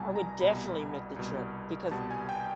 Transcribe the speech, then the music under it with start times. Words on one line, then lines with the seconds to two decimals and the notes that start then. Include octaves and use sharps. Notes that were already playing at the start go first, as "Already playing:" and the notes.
I would definitely make the trip, because
Already playing: C2 B2 G3 G#5 A5
0.15 A#5
0.41 C2 B2 G3 B5
1.16 C2 B2 G3
1.91 C2 B2 G3 A5
2.11 G#5
2.29 G5